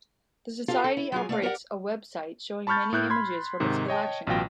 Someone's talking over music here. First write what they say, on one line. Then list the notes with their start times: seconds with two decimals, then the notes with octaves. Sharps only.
The Society operates a website showing many images from its collection.
0.68 F4 G4 A4 F5
0.84 A4
0.97 E4
1.12 F#3 F4 G#4
1.29 A3 D5 F5
1.42 G4 A#4 D5 F#5
2.67 A5 B5 C#6 F6 G6 A6
2.93 A2 E4 F#6 G6
3.10 B5 C6 G#6
3.60 G#2 C3 D#3
3.88 C#5 D#5 G5 A5
4.27 A1 B2 F#3 F4 G5 A#6